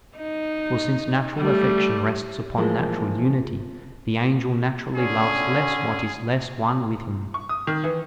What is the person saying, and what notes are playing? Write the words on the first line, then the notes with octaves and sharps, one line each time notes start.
For since natural affection rests upon natural unity, the angel naturally loves less what is less one with him.
D#4
G3 A3
E3 F3 G#3 A#3
D3 C#4 G#4
C#6
D#6
D#3
E3